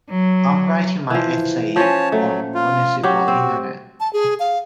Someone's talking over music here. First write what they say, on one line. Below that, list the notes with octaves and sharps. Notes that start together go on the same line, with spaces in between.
I'm writing my essay on municipal internet.
F#3
E3 F3
F3 C#4 C#5 A5
F#3 A3
F4
F#3 F#4 G4
C4
A5
G#4
F5